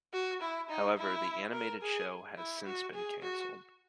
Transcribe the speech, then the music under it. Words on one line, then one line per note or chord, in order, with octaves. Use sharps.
However, the animated show has since been cancelled.
F#4
E4
D#4
E4
A#4
G#4
E4
F#4
G#4
F#4